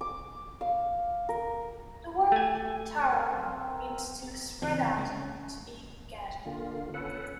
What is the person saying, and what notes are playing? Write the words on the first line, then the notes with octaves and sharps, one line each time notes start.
The word "tarava" means "to be spread out, to be gathered".
D6
F5
A#4
A3 G#5
A#4 E5 F5
C4
C#3 E3 C4
C#3 G#3 A#3
C#4
D3 A#3 F4
C#4 A4 B4 F#5